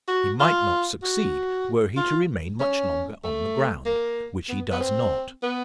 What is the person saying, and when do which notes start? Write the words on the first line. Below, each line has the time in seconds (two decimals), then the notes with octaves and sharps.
He might not succeed were he to remain much longer on the ground--which he does not.
0.08 F#4
0.40 F4
1.03 F#4
1.97 F4
2.60 C#4
3.24 A3
3.86 A#3
4.49 B3
4.72 B3
4.81 C4
5.43 B3